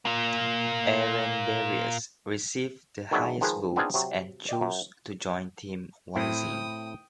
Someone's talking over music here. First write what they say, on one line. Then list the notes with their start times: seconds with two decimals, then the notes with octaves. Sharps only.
Aaron Barrios received the highest votes and chose to join Team Wisin.
0.05 A#2 A#3
3.11 D#3 F#3 G#3 B3 D4 E4
3.41 D#3 F3 G#3 G#4 B4
3.76 B3 C4 D4 D#4 F4 G#4
3.94 C3 F#3
4.49 D5 D#5 G5
4.61 F#2
6.15 A2 C4 E4 G5 D#6